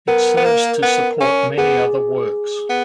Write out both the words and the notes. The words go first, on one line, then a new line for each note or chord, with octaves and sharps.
It serves to support many other works.
B3 A#4
B3
A#3
B3
C#4
B3 G#4
B3